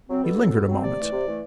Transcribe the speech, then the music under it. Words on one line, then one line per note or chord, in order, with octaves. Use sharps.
He lingered a moment.
F#3 C4
B2 A4
F#3 C4
B2
F#3 C4
C3 D5
E3 A3
C3
E3 A3